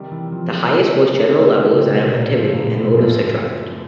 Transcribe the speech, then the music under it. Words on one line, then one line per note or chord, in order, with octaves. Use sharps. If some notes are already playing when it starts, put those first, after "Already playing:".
The highest, most general level is that of "activity" and "motives" that drive it.
Already playing: C3 D#3 G3
E3
F3
C3 D#3 G3
F#3 A3 D4 G4 A#4
C#3 F#3 A3 D4 G4 A#4
B2
A#2
F#2 A2 C#3 F3 A3
A#2
B2
F#2 A#2 C#3 F3 A3
A2